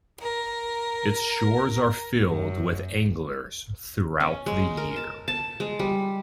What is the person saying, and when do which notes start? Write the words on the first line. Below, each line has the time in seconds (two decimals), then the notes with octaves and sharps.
Its shores are filled with anglers throughout the year.
0.20 A#4
2.27 F#2
4.20 C#4
4.46 G#3
4.77 A#4
4.96 A5
5.28 A5
5.60 G#3
5.79 G3